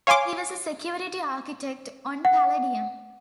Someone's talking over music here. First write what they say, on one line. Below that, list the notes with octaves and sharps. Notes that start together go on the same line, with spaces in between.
He was a security architect on Palladium.
C#5 F5 G#5 C6 D6
F#5